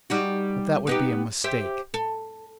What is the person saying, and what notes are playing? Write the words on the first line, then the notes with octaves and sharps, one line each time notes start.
But that would be a mistake.
G3 D#4 F#4
B3 D#4 G4
G4 C5 E5
A4